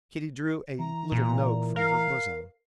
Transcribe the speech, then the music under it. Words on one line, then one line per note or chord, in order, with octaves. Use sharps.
Kitty drew a little note from her bosom.
E3 A#5
A#2
A#4 F5